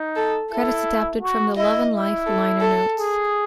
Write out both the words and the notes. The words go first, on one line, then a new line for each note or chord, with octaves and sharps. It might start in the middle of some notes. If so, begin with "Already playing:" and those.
Credits adapted from the "Love and Life" liner notes.
Already playing: D#4
A4
E4 A4
F#4
E4 D#5
E4
A4
A4
G#4